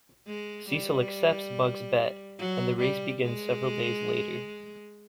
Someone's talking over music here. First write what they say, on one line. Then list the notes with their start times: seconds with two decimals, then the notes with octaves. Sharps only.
Cecil accepts Bugs' bet, and the race begins several days later.
0.27 G#3
0.69 G3
2.38 F#3
2.80 G3
3.23 G#3